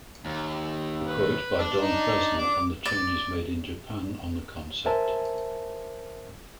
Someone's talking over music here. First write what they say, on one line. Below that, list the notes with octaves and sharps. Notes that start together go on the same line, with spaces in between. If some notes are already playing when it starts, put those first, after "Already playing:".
A quote by Don Presnell on the changes made in Japan on the concept.
D#2
B4
D4
D#4
D6
D5
A#4 C5 E5 G#5 A5